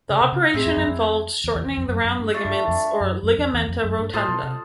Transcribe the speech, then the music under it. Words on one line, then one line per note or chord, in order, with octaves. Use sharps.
The operation involved shortening the round ligaments, or "Ligamenta rotunda".
C#3
C3
C#3
A2 C4 E4 G#4
F2
F#2
F2
E2
E2
E2
F2
F#2
F#2
G2
A3 D4 F4
G2
F2
F#2
F#2
F2
E2
F2
F#2
G2
A2 F4 A4 C5 D#5
B2
C3